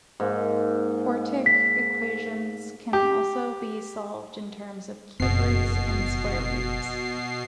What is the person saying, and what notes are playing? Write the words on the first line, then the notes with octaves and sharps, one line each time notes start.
Quartic equations can also be solved in terms of cube roots and square roots.
G#2 A#3
B6
G4
F#1 F2 B2 C7